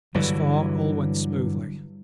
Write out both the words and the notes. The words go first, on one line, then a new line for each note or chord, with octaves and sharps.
Thus far all went smoothly.
G2 D3 E3 F#3